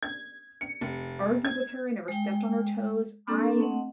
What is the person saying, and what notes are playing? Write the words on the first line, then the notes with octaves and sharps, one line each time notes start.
argued with her. I never stepped on her toes. I
G#6
C#7
F1
G#6
G#3 G5
A#3 C4 D4 A4 C#6
A3 C4 D#5 F#5